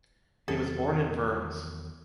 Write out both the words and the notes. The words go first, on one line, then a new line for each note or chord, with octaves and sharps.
He was born in Worms.
E2 D#3 F#3 A4